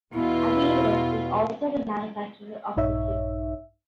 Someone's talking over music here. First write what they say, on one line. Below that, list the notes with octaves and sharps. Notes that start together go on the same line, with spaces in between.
Adidas is also the manufacturer of the kit.
E2 B2 E4 F4
A#1 G2 D#4 C#5 E5